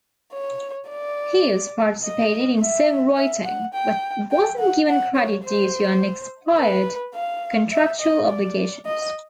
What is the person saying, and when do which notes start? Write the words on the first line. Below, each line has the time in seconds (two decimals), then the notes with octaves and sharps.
Hughes participated in song-writing, but wasn't given credit due to unexpired contractual obligations.
0.34 C#5
0.90 D5
2.04 D#5
2.60 E5
3.17 E5
3.45 F#5
3.74 G5
4.32 G5
4.59 F#5
4.88 F#5
5.16 C#5
5.45 C5
6.58 B4
7.15 F5
7.72 E5
8.00 D#5
8.29 D5
8.86 D#5